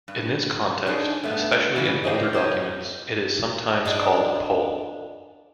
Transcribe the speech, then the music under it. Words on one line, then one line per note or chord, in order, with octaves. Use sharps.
In this context, especially in older documents, it is sometimes called a pole.
G2
D4 D#4 G#4
G2 A3 B3
C#3 E3
G4 C5 C#5 D#5
G4 C5 C#5 D#5
D4 G#4 D#5